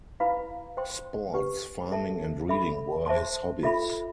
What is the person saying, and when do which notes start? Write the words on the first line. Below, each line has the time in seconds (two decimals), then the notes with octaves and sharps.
Sports, farming and reading were his hobbies.
0.20 E4 B4 F5 B5
0.77 C5 G5 C6
1.34 D4 G4 B4
1.91 A4 E5 A5
2.49 A4 E5 B5
3.06 C5 E5 A5 C6
3.63 F4 A4 E5 B5